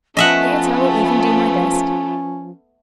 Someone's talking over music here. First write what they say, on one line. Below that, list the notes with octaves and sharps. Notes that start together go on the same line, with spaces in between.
"Yet I will even do my best."
F3 A3 B3 C#4 D#5 E5 F#5